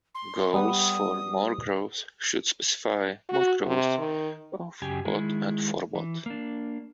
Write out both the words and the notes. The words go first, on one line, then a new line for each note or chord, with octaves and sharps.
Goals for more growth should specify more growth of what and for what.
C6
G3 B3 D#6
F#4
C3
D#3
F#2 C#3 G4 G5 G#5
D#3 G#3 E4
E3
A#3 D4